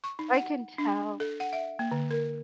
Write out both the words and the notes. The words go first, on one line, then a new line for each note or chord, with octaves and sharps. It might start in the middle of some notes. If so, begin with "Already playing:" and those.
I can tell.
C#6
D#4
F#5
D4
A4
F#5
E5
A#3
D3
A#4